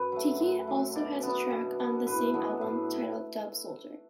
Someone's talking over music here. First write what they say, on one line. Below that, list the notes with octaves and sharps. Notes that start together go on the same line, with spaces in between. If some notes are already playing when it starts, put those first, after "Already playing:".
Tiki also has a track on the same album titled Dub Soldier.
Already playing: F#2 B4
F#3 A3
F#2
F#3 A3
B2 D5
B3 D4
B2
B3 D4
A2 B4
F#3 B3 D4
A2